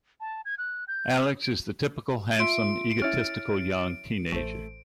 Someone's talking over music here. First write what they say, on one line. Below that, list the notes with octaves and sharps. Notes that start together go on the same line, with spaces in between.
Alex is the typical handsome egotistical young teenager.
A5
G#6
F#6
G6
F6
D7
F4 E5 C6 D7
C#4 E4 F6 A6
A1 A3 C5